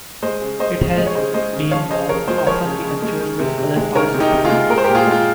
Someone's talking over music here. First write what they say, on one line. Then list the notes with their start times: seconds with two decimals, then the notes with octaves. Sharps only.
It has been known to often be confused with other parts of the plant.
0.22 G#3 C5 D#5
0.41 C#3
0.60 G#3 C5 D#5
0.79 C#3
0.97 G#3 D#5
1.06 C#5
1.15 C#3 C5 D#5
1.34 G#3 C5 D#5
1.53 C#3
1.71 F3 C#5 F5
1.91 C#3 C5 D#5
2.09 C#3 A#4 C#5
2.27 G#3 G#4 C5
2.38 C5
2.46 F3 A#4 C#5
2.65 C#3
2.84 C#3
3.02 G#3
3.21 D#3
3.39 C3
3.58 C3
3.76 G#3
3.95 D#3 A#4 C#5
4.14 C3
4.20 D#4 G4
4.33 C3
4.45 F4 G#4
4.51 G#3
4.70 G#3 A#4
4.78 C5
4.84 A#2 G4 A#4
4.95 F4 G#4
5.07 G#3 F4